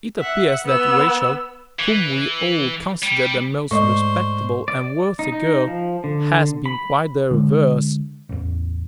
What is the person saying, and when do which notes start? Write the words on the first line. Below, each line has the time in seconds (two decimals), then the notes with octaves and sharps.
It appears that Rachel, whom we all considered a most respectable and worthy girl, has been quite the reverse.
0.18 E5 F#5
0.65 B3 E6
1.79 E3
3.02 G3
3.71 G#2 A3 C5 D5 D#5 C#6
4.68 D5
5.19 D#4
5.32 D#4
5.67 F3
6.04 D3
6.66 B5
7.31 D3 G#3
8.29 A1 E2